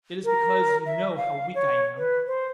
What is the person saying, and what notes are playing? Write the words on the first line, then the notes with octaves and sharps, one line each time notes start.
It is because you know how weak I am!
A#4
E5
F5
C#5
B4
C5